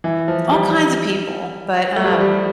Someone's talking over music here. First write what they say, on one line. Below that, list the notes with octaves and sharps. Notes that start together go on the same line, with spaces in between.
all kinds of people, but, um,
E3
F3
G3
A3
G3
F3
G3